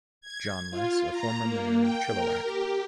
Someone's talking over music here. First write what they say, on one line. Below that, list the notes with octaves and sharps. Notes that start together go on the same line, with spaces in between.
John Les, a former mayor of Chilliwack.
G#6
F4
A#5
A#3
G5
A#4
G4